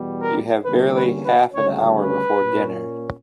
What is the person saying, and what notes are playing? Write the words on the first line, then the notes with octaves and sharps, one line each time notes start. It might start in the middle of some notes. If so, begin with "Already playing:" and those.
You have barely half an hour before dinner.
Already playing: E2 B2 G3
A#4
E2 D3 G3 A#3 C#4 B4
B4
B4
D2 C#3 G3 C#4 C#5
B4
A#2 A#3 C#4